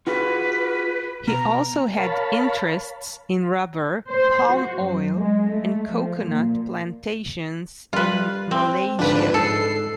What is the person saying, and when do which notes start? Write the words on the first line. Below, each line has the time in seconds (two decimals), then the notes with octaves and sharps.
He also had interests in rubber, palm oil and coconut plantations in Malaysia.
0.07 F4 F#4 G#4 B4
1.28 B2 A#5
1.98 A#4 C#5 F5 A5 B5
4.08 C5
4.48 F#4
4.78 F#2
5.17 G#3
5.49 A3
5.94 F3
6.25 A#2
7.93 G3 F4 B4
8.51 C4
8.99 G#2 D3 F3 D4 B4
9.34 G#2 A4 C7